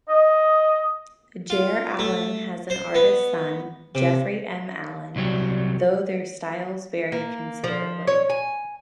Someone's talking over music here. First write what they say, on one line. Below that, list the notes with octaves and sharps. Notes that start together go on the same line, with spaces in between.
Jere Allen has an artist son, Jeffery M. Allen, though their styles vary considerably.
D#5
F4
A3
C5
B3
C3
C2 F#3 G3
A#3
F3
C#5
G#5